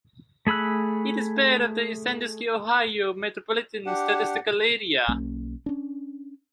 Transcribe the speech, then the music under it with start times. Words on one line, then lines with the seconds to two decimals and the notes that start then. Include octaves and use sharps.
It is part of the Sandusky, Ohio Metropolitan Statistical Area.
0.47 A3 G#4 B5 E6 F#6
3.86 D4 G4 F#5
5.08 B1 A#3 C#4
5.66 C#4 D4